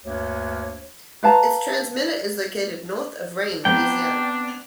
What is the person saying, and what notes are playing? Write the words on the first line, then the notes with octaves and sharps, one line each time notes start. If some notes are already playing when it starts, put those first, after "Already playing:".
Its transmitter is located north of Rayne, Louisiana.
D2 G2 A#3 C#5
B4 F5 A5 A#5
B3 C4 D4 G5 A#5